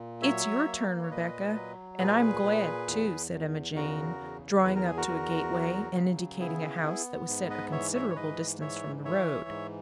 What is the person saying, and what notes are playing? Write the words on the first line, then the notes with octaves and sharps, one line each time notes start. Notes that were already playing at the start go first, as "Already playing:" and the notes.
"It's your turn, Rebecca, and I'm glad, too," said Emma Jane, drawing up to a gateway and indicating a house that was set a considerable distance from the road.
Already playing: A#2
F#3 C#5 E5
A#3
C#5
A#2 B4 D#5
F#3
A#2 G#4 B4
A#2
E2
E2
C#3 F#4 A#4
E2
E2 B4
A#4
G#4
F#4 A#4
E2
F#3
C#3
B3 E4 G#4
B3
G#2
B4 D#5
E3 C#5 E5
C#5 E5
C#5
G#2 B4 D#5
E3 C#5 E5
E3 C#5 E5
G#2